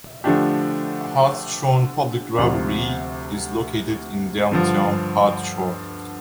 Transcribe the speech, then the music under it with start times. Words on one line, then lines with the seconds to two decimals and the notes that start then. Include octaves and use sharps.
Hartshorne Public Library is located in downtown Hartshorne.
0.24 D3 F3 A3 D4 G4
2.38 D2 C3 F3
4.52 G2 D3 F3